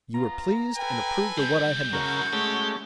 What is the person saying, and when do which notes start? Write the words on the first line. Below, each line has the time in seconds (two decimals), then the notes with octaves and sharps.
You were pleased and approved of what I had done.
0.14 B3 F4 A#5
0.77 A4 B4 G5 G#5
1.38 G3 G#3 G6
1.93 C#3 G#3 E4 F#4 A4 A#4
2.33 G#3 A3 C#4 G4